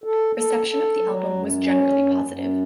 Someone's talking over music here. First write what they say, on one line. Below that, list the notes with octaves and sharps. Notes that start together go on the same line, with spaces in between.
Reception of the album was generally positive.
A4
A4
A4
F#3
F#2
C#4
F#2
F#2